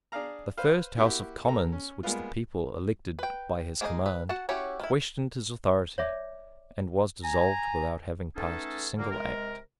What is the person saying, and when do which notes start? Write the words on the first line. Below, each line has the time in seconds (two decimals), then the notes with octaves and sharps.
The first House of Commons which the people elected by his command, questioned his authority, and was dissolved without having passed a single act.
0.12 D4 G#4 D5 F5 A#5
0.57 B4 C5 F5
0.97 A#3 E4 F#4 G4
1.45 A4 A#5
1.72 C#4
2.03 G3 G#3 A#3 B3 F4
3.19 B4 G5
3.81 A#3 D#4 G#4 B4 D#5
4.06 B4
4.29 F#4 F#5 A5
4.49 C#4 E4 F#4 G4 C#5
4.80 D#3 E4
5.98 C#5 D5 E5 D6
7.24 G#5 A#5
8.36 A3 B3 C#4 D#4 G#4 A4
8.98 A#2 D3 A#3
9.11 C3 G#3 A#4